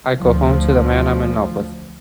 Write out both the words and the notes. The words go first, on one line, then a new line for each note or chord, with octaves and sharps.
I go home to the man I'm in love with.
D2 F3